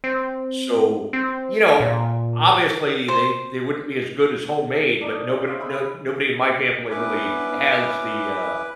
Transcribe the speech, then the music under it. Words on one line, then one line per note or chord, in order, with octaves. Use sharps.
So, you know, obviously, they they wouldn't be as good as homemade, but nobody no nobody in my family really has the, uh,
C4
C4
A#2
C5
D4 D#4
C#5
C5 E5 F5
G#4 B4 D#5 E5
B3 C#4 D4 E4 B4 D6